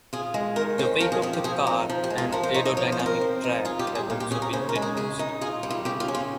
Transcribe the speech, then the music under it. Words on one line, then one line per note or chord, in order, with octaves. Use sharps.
The weight of the car and aerodynamic drag have also been reduced.
F4 G#4
G#3
D#3 A#4
C#4 C5
F3 A#4
G#4
C4 F4
G4
F3 G#4
D#4 A#4
F3
G4
G#3
F4
F3 A#4
C5
D#4 C#5
D#5
F3 C#5
C5
C4
A#4
F3
D#4
F4 G#4
G4
G3
G#4
A#2 F4
G4
C#4 G#4
A#4
C#3 C5
A#4
G#3
G#4
C#3 G#4
D#4
F4 G#4
G3
F4
C#3 G4
F4
C#4
F4